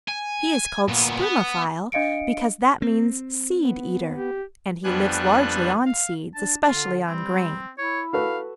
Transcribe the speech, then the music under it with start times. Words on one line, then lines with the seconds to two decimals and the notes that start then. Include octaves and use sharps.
He is called Spermophile because that means seed-eater, and he lives largely on seeds, especially on grain.
0.08 G#5
0.88 A#2 B3
1.22 B3
1.92 D4 D#5 F5 C#7 D7
2.82 C4
3.64 B3
4.13 G4
4.84 F2 G3 B3 D4 G#5 F#6
5.86 F5
6.35 D4 A5
6.67 D3 F4
7.06 G3 C4
7.78 E4 C#5
8.13 F#4 A4 B4 F5